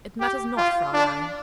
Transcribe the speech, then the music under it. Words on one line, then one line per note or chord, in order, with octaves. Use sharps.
'It matters not, Fraeulein.
G4
F4
D4